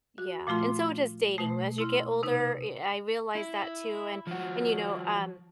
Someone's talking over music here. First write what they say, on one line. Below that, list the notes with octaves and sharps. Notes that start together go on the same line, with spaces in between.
Yeah, and so does dating. As you get older, y I realize that too, and and, you know, um,
F#4
A#2 F3 A3 F4 C6
B2 A3
E4 C6 F6
C3 D#4 B4
E4
F3 F#4